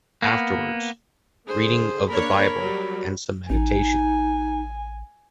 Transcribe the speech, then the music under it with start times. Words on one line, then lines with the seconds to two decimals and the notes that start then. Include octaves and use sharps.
Afterwards, reading of the Bible and some meditation.
0.22 A#3 B3
1.47 D3 G#4 C5
2.09 A#3 D4 A#4 C#5 B5
2.58 F#3 G3
3.50 A1 D#4 G#5